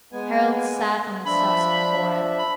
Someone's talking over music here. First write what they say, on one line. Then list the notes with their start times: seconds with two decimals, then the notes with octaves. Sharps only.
Harald sat on the steps before it.
0.13 G#3 B3 B4 G#5
1.26 F3 D4 E5 B5
2.39 B5